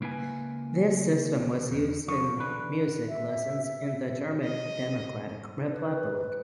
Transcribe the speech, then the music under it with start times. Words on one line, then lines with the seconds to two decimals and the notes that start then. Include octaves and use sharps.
This system was used in music lessons in the German Democratic Republic.
0.01 C#2 A#3 E4 B4 G#5
1.71 E2
2.08 F3 C#5
2.38 D3 E3 B4
3.08 E5
4.44 D#5
5.71 B4